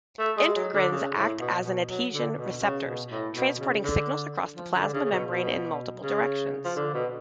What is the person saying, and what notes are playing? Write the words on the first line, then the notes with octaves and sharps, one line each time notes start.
Integrins act as adhesion receptors, transporting signals across the plasma membrane in multiple directions.
A3
G#3
F#3
D3
C#3
A2
B2
B2
F#3
D3
B2
C#3
B2
A2
B2
C#3
D3
F3
D3
C#3
C#3
B2
B2
C#3
F3
D3
B2